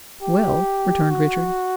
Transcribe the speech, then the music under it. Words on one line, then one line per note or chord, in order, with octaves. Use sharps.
"Well," returned Richard.
G4
F#4